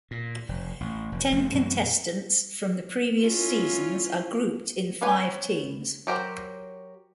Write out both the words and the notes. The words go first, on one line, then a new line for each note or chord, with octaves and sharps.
Ten contestants from the previous seasons are grouped in five teams.
A#2
F1
A1
F1
F1 F3 A3 C4
F#2 B2 E3 F#3
C#4 E4 F4
B3 C#4 G4 B4 G#5
F#3 G4 A#4 C5